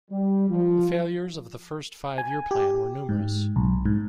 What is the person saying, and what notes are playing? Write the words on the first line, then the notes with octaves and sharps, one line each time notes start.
The failures of the first five-year plan were numerous.
G3
F3
G#5
G4
G#2
B1
G#2